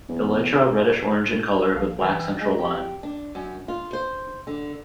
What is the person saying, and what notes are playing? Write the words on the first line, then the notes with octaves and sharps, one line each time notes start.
Elytra reddish orange in color with black central line.
E2
A#1 A4 F5
E3 G5
G#3
G4
D4
F#2
F4
C5
D3